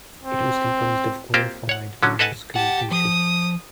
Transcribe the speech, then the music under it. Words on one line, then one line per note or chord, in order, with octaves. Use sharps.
It was composed of qualified male school teachers.
C4
A#3 C4 F4 G4 C5
C#5 F#5
D3 F#3 C#4
A4 B4 D#5 F#5 G#5 A5
G4 F#5 A5
F3 D#6